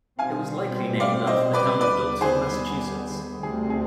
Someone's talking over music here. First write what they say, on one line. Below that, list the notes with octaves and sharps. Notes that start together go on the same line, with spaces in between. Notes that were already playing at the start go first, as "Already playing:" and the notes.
It was likely named after the town of Dalton, Massachusetts.
B2 G3 C4 F5 G#5
D5 F5
C5 D#5
B4 D5
D#2 D3 G3 B3 B4 D5
G#4 C5
D2 C3 G3 C4 G#4
G#4